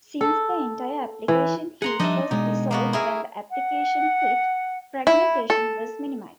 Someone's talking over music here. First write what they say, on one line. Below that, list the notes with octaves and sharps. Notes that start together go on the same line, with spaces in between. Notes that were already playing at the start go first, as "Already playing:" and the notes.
Since the entire application heap was dissolved when the application quit, fragmentation was minimized.
A4
E3
G#4 F#5 A#5 C6
F3 G3 D4 D#4 D#5 E5
B2 G#3 D#4
A#3 B3 F#4
E4 G#4 A#4
F#5
E4
A4